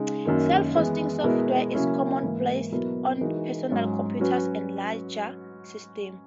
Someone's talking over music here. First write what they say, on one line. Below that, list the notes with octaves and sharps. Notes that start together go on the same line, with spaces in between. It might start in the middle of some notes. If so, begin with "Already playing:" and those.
Self-hosting software is commonplace on personal computers and larger systems.
Already playing: C#3 G#3 D#4
F#2 D#3 A#3
E3 G#3 B3
B2 G#3 B3 E4 A#4
C#3 F#3 A#3 C#4 E4
G#2 E3 A#3
B2 F#3 B3 E4 A#4
E3 G#3 D#4 F#4 A#4
G#2 F#3 C#4
F#3 C#4 F#4 B4